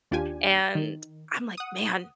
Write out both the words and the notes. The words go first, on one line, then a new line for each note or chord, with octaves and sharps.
and I'm like, "Man,
D#2 D4 F4 G4 G#5
D#3
F#5 D#6